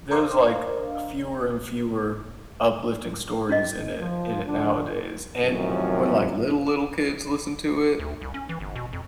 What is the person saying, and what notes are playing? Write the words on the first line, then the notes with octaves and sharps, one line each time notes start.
there's, like, fewer and fewer uplifting stories in it in it nowadays, and when, like, little little kids listen to it,
D4 A#4 C5 D5 D#5 F5
C#4 F#4 D#5
F3
D3 F3 D4
F#2 A2 C3 D#3 F3 F#3
D2
C2
C#4
E3
G1
B2
F2